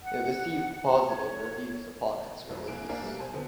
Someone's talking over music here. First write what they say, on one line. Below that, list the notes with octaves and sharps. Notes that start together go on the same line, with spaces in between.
It received positive reviews upon its release.
F#5
C#5
C2 F2 G#2 F#3
C2 A#3 G#5 F#6 D7
A#3 D4 A#4 C5 E5 G#5
B2 G3 A3 A#3
C5 G#5 A5
D#2 B2 D3 B3 C4